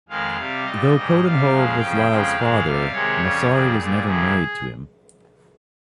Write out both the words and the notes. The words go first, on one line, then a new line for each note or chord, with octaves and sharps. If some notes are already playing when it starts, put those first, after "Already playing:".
Though Coudenhove was Liesl's father, Massary was never married to him.
F2 D#3 G#3 F5
C3 G3
A#2 G3 D#5
G#2 G3
C3 G3 F5
F2 C#3 F3 G#3
F2 C#3 F3 G5
F2 C#3 F3 G#3
G#2 D#3 G#3 F5
C3 G3
C3 D#3 G#3 C#5
F2 C#3 G3
F2 D#3 G3 G#4
A#2 G3
F2 C3 D#3 G#4